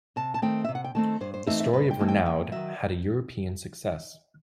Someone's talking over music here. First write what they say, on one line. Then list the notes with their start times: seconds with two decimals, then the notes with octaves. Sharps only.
The story of Renaud had a European success.
0.16 C3 A5
0.34 A5
0.42 D#3 A3 C4 G5
0.65 C3 E5
0.75 F#5
0.84 G5
0.95 D#3 A3 C4 A5
1.21 G2 C5
1.34 C5
1.47 E3 A3 C4 D#4 E5
1.60 E5
1.73 G2 B4
1.91 G5
2.00 E3 A3 C4 D#4
2.08 G5
2.25 D#2 G5
2.52 D#3 F#3 E5